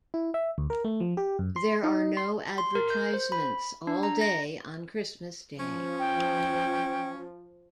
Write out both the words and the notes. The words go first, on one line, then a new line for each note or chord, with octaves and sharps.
There are no advertisements all day on Christmas Day.
E4
E5
D2
A#4
A3
F3
G4
F#2
C6
D#4
C6
C6
A#4
G6
C5
B5
D4
A#5
A#6
F3 C#4
G5